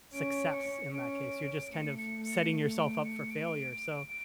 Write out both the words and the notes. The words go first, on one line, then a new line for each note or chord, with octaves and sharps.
success in that case. You're just kind of setting yourself up for failure, so
C#4 D7
C#7
C#4 D7
A3 C#7
C#7
C#7
D7
C#7
D7
D7